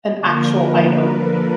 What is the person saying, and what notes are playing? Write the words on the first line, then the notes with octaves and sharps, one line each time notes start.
an actual item?
D3 F3 A#3 D4 A#4
B4
A4